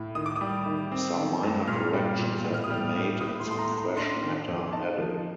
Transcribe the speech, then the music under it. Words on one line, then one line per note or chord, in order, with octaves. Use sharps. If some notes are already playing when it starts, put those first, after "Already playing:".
Some minor corrections have been made and some fresh matter added.
Already playing: A2
D#3 D#6
D6
G3 D#6
D#3
C4
D#3
G2
A#2 F6
G3
A#2
A2
F6
D#6
G3 F6
A2
A2 D#6
C6
A3
C6
A#5
A2
A#5
D4 C6
D#3
F2
D#4 A5
F3